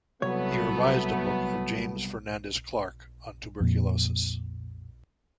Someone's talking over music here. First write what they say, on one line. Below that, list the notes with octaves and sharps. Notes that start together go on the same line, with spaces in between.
He revised a book of James Fernandez Clarke on tuberculosis.
C2 F#3 A3 B3 C#5
F2 A#2